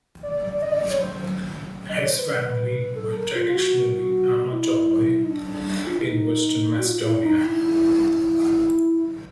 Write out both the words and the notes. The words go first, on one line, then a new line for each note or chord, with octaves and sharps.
His family were traditionally Armatoloi in Western Macedonia.
D5
D5
D#5
D5
D5
C#5
C5
D#5
D5
C#5
C5
B4
A4
A4
A#4
F4
F4
F#4
E4
D#4
D4
F4
E4
D#4
F#4
F4
E4
D#4
E4
E4